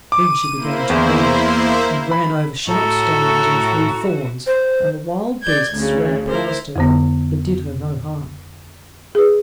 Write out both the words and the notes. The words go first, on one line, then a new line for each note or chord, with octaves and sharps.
Then she began to run, and ran over sharp stones and through thorns, and the wild beasts ran past her, but did her no harm.
D6 D#7
A#3 E4 C5
E2
B5
A2 E4 F#4 A4 A#5 C#6
C5
D5 G6 G#6
D2 C#3
E4 A#4 C5
F2 D3 B3
G#4 B4